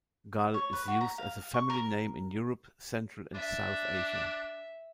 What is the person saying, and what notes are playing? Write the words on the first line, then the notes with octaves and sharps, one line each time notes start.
Gul is used as a family name in Europe, Central and South Asia.
C#5
B4
F#4
A#5
F5
C#6
A#4
D4 E5